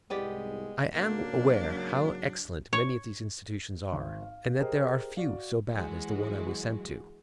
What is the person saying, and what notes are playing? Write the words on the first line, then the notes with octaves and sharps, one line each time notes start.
I am aware how excellent many of these institutions are, and that there are few so bad as the one I was sent to.
C2 G#2 G#3 B3 G4 D5
G#2 C#3 F#3 A#3 D4
C#5
G#1
F5
G4 G#4 A#4 C5 D#5
F#4 D5 F5
E3 F#3 G#3 F#4